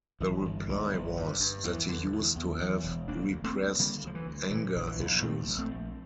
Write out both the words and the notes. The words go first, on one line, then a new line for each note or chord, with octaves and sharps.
The reply was that he used to have "repressed anger issues".
G1 E3
G1
G1
G1
G2
G2
E2 E3
D3
E2
E2
E2
E1
D2 A#3 D4
D2
A3 C4
D2
D3 G3 A#3
D2 F3
E3
D2
A#2 E3
A#1
E3
A#1
A#2 A3 C4
A#1
A3 C4
A#1